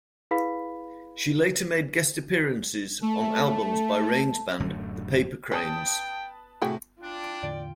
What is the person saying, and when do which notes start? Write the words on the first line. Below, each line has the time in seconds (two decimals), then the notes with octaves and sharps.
She later made guest appearances on albums by Rain's band, the Papercranes.
0.31 E4 G#4 B4 F5 B5 B6
3.02 A3 A5
4.60 D1 F#2 D3 A3
5.52 C#4 B4 G5 A5 D#6
6.62 A2 C3 A3 F#4 G#4 G5
7.00 D4 F4 G5
7.43 E2 A2 D3 D5